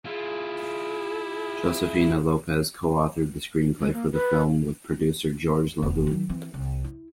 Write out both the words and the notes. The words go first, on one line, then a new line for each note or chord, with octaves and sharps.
Josefina Lopez co-authored the screenplay for the film with producer George LaVoo.
E4 F4 G#4
G#3
A#3
B4
E1 B3
D#3 F#3
E3 C4
C2
E4